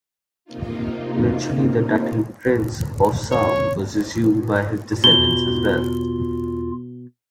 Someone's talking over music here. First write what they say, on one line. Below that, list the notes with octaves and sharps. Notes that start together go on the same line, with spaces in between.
Eventually, the title Prince of Salm was assumed by his descendants as well.
C3 A#3 D#4 F4
C#5
E2 B2 F4 G7